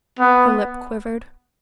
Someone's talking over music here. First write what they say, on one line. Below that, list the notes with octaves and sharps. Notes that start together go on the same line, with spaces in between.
Her lip quivered.
B3